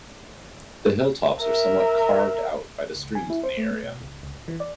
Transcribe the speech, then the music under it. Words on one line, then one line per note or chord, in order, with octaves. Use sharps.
The hilltops are somewhat "carved" out by the streams in the area.
A#4 E5
C#2
G#5
E4
C5
A3
A3
B2
C#2
C#2
A1
E3
D5